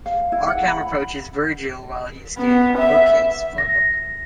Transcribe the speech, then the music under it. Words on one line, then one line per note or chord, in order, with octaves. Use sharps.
Arkham approaches Vergil while he is scanning a bookcase for a book.
F5
E4
F#5
B5
B3
E5
A#6